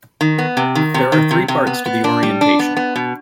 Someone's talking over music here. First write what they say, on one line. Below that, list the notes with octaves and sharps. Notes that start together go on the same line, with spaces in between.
There are three parts to the orientation.
D#3
B3
C3
D#3
C3
D#3
C3
C3
B3
B3
D4
G3
D4
B3
B3
B2